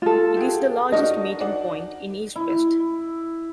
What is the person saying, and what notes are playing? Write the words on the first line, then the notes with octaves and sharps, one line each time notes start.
It is the largest meeting-point in East-Pest.
F4 A4
G4 G#4 F#5
D4 D#4 F#4 A#4 D#5
D5 F#5
E4